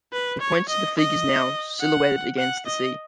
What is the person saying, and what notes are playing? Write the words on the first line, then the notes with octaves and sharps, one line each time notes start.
He points to the figures now silhouetted against the sea.
B4
C#5
D#5
D#5
F#5
F#5
D#5